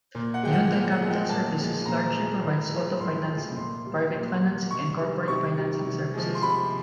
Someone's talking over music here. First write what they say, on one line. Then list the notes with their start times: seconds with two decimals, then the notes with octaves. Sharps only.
Hyundai Capital Services largely provides auto financing, private financing and corporate financing services.
0.15 A#2
0.34 F#5
0.43 G#3 G5
0.48 F3
0.53 F#5
0.72 A#2 F#5
0.92 F#5
1.00 F3 G#3
1.11 G5
1.29 A#2 A5
1.58 F3 G#3
1.86 A#2 A#5
2.15 F3 G#3
2.43 A2
2.71 F3 G#3
3.01 A2 C6
3.28 F3 G#3
3.57 A#2 C6
3.86 G3
4.15 A#2
4.43 G3
4.71 C3 C#6
5.00 D#3 G3
5.28 C3 C#6
5.57 D#3 G3
5.85 C3
6.14 F3 G#3
6.35 C6
6.42 C3 B5